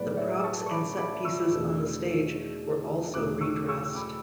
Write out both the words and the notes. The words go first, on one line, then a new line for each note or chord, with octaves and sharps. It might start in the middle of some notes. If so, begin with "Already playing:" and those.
The props and set pieces on the stage were also redressed.
Already playing: B1 A2 G#3 B3 B4 D5
D5
C#5 E5
A5 C#6
C#6
B5 D6
B5 D6
C#6 E6
E2 B2 A3 D4
E2 B2 A3 C#4 D6 F#6
C#6 E6
C#6 E6
E6
B5 D6